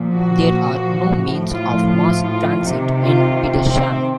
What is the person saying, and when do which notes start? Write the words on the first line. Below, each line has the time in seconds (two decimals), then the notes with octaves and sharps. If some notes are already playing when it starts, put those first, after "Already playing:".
There are no means of mass transit in Petersham.
Already playing: A#2 F3
0.11 F#4
1.19 A2 F3
1.54 F4
1.90 F4
2.26 F4
2.61 C3 D#3
2.98 F4
3.68 C4